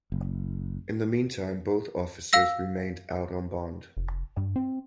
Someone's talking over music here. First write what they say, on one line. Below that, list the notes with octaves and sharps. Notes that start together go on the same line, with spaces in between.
In the meantime both officers remained out on bond.
F#1
F5 E6 A#6
F1
G2
C4